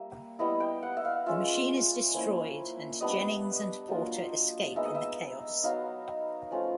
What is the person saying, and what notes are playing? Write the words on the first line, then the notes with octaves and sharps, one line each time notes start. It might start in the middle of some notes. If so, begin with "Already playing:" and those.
The machine is destroyed, and Jennings and Porter escape in the chaos.
Already playing: G3 A#3 E5
G3 B3 E4 D#5
G5
F#5
E5
F5
G#3 C#4 F4 E5
F3 A#3 C#4 E4
G3 B3 D4 D#5
F#3 A#3 D4 F4
G#3 B3 D#4 E5
D#5
E5
F#3 B3 D#4 F5
F3 A3 C#4 F4